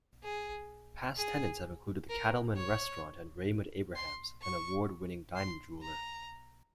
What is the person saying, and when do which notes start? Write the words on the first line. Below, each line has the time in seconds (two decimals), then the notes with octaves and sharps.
Past tenants have included The Cattleman restaurant and Raymond Abrahams, an award-winning diamond jeweler.
0.23 G#4
1.16 G#4
2.09 A#4
2.56 C#5
3.96 C6
4.42 C#6
5.36 C6
5.82 A#5